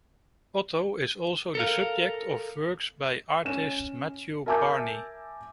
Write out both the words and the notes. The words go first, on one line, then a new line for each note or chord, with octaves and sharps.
Otto is also the subject of works by artist Matthew Barney.
A4 A#4 F5
C#4 E7
A#4 E5 G#5 A5 D6 G6